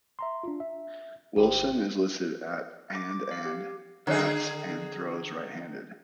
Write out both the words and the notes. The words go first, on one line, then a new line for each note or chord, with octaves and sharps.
Wilson is listed at and and bats and throws right handed.
E5 A#5 C6
D4 F4
E5
G#1 G4 C5 G5
D6
D6
F5
G4
D3 G#4